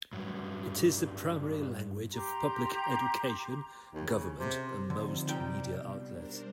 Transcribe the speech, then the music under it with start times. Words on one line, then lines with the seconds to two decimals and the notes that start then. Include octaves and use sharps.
It is the primary language of public education, government and most media outlets.
0.13 G2 F#3
2.13 G4 A#5 C6
3.94 D#2
4.07 C#3
4.39 C3
4.90 D3 F3 C4 D#4
5.29 C3 G3 D#4 G5
5.73 B2
6.12 D4 A#4 C5